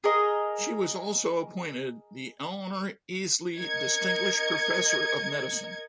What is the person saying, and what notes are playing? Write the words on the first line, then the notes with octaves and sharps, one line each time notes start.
She was also appointed the Eleanor Easley Distinguished Professor of Medicine.
G#4 A#4 D#5
A#4 D#5 G#6 C#7